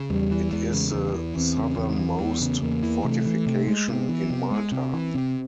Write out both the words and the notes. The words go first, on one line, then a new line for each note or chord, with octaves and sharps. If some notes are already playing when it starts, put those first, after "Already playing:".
It is the southernmost fortification in Malta.
Already playing: C#3
E2 G3
E3
E2 G#3
C#3
E2
E3
E2 C4
C#3
E2 C4
E3
E2 B3
C#3
E2 A#3
E3
C3 A3
E3
C3
G#3
C3 B3
E3
C3
G#3
C3 C4
E3
C3 C4